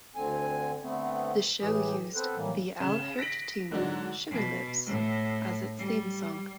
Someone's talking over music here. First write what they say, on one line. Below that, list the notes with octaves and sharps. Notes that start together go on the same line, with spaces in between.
The show used the Al Hirt tune "Sugar Lips" as its theme song.
D2 D3 C4 G#5
D3 A3 B3 C4
A2 E3 G4 G#4
B3 C4 A4 B4 C5
A2 E3 G3 A#3
C#3
A#6 B6 D7 F#7
G#2 D3 F#3 D4 F#4
B2
A2
G3